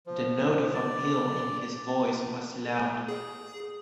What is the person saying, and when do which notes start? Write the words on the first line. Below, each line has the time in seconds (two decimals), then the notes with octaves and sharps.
The note of appeal in his voice was loud.
0.07 F3
0.74 D5
3.08 G#4